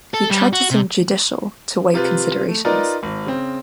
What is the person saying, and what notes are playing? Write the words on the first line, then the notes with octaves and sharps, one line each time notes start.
He tried to seem judicial, to weigh considerations.
A4
G3
F#4
C3
C3 F4 B4
A3
D#4 F4 A#4 B4 D5
G#1
C#3 C4